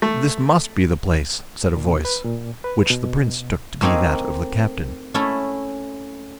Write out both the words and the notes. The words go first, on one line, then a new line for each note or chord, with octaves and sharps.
'This must be the place,' said a voice, which the prince took to be that of the captain.
A3
A#2
B4
A#2
B4
B2
A3 A#3 C4 D#4 G#4
A3 C#4 E4 A4